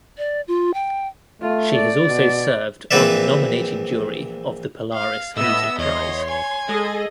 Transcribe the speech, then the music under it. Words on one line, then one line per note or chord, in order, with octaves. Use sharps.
She has also served on the nominating jury of the Polaris Music Prize.
D5
F4
G5
A3 F4
D5
B2
A#1 E3 C4 B4 D5 E5
F5
A2 B3 D#5 E5 E6
E2 C#5 D#5 C6
G#5
G#3 G#4 A4 D#5